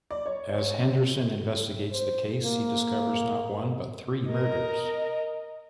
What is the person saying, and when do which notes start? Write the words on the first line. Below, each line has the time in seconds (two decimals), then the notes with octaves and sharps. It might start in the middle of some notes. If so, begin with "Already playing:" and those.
As Henderson investigates the case, he discovers not one but three murders.
0.11 D5
0.26 C#5
0.80 C4
1.91 C5
2.43 A#3
4.28 A#4 D#5